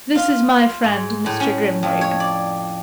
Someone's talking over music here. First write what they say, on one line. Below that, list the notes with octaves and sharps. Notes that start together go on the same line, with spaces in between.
'This is my friend, Mr. Grimwig.
F4
G#2
A2
C#4
F2
C#5
D5